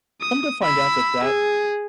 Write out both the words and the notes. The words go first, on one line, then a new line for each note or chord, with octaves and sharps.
Come to find out that that
D#6
B5 E6
G#4